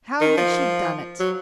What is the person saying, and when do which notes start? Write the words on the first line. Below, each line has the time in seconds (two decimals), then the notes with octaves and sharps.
How had she done it?
0.21 D#3
0.37 F3
1.19 F#3